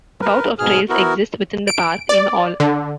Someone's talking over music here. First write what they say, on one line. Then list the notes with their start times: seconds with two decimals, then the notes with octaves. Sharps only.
About of trails exist within the park in all.
0.21 A#4 B4
0.59 G#2 B2 G#4 F6
0.89 B3 E4 F#4 A#4
1.68 D7
2.09 D5
2.60 D3